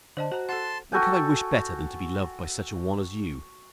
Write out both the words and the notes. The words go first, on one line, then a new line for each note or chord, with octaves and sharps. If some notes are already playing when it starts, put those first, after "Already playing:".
What could I wish better than to be loved by such a one as you?
D3 C5 D#5 A5
F#4 C5 A#5
A4 F#5 A5 C6
F#4 A4 G5 G#5